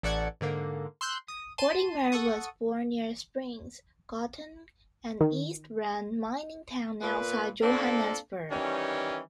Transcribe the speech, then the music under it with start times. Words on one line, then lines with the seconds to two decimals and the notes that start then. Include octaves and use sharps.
Gordimer was born near Springs, Gauteng, an East Rand mining town outside Johannesburg.
0.03 A1 A4 D5 F#5 C#6 G#6
0.41 G#2 D3 A#3
1.01 C6 E6 F#6 G6
1.28 D#6
1.58 A5 C6 D#7
2.12 A4 F#5 C#6 D#6
5.21 D#3
7.01 A#2 B4
7.62 A#3 C4 D4 F4 A4
8.51 D#3 E3 G3 C#4